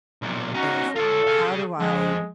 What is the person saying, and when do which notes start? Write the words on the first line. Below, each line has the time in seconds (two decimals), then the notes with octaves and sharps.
is how do I
0.22 B1 A#2
0.54 C#4 D#4 F#4
0.96 F4 A4 C#5
1.27 G#4 F5
1.80 F2 G#3